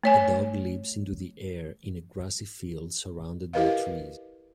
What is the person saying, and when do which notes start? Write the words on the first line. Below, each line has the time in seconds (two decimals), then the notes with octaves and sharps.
A dog leaps into the air in a grassy field surrounded by trees.
0.04 A3 C#5 G#5
3.53 E4 G4 A#4 B4 D#5 F5